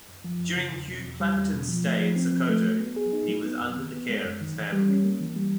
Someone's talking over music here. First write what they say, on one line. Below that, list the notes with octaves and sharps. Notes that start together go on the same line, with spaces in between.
During Hugh Clapperton's stay in Sokoto, he was under the care of his family.
F#2
F3
F#2
C#3
E2
B2
E2
G3
E2
B2
F3
A3
F3
C4
F3
A3
F#3
B3
G#4
D#4
F#3
B3
F#2
D#3
B3
G#3
F#2
D#3
E3
G3
C#4
A#3
E3
G3